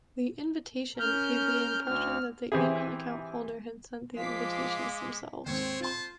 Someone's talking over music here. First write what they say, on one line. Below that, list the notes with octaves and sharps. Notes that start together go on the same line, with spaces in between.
The “invitation” gave the impression that the email account holder had sent the invitation themselves.
C#4 A#4 F6 G6
D2 F6
E3 C4 E4 G4 G#4
F3 G#3 F5 D6 B6 C7
D#2 G#2 C4 C5 C#5
F4 C5 A5 C6